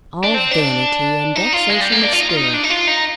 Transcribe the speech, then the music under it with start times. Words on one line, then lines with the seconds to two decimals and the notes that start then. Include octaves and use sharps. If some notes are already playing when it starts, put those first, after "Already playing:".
"All vanity; and vexation of spirit!"
0.24 D4
0.34 C4
0.51 D4
1.35 D#4
1.52 F4
1.70 G#3
1.81 G3
1.92 A#3
2.03 D4
2.13 F4
2.20 D#4
2.30 F4
2.37 D#4
2.54 D4
2.64 D#4
2.70 F4
2.88 D#4